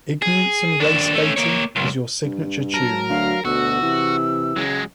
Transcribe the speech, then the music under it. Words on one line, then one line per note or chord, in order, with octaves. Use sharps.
Ignorance and race baiting is your signature tune.
G#4
D#2 D4
A3 C#4
A#3 C#5
C#2 F#2
G2
F#3 A#4 A5
D2 F5
D2 B2 F#4 E6
C3 E3
C#3 F#3 G#3